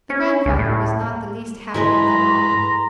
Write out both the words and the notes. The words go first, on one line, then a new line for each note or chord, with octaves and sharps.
The grandfather was not the least happy of them all.
C#4
C#2
A2
G#2 G#3 A3 E4 B4 A#5 C6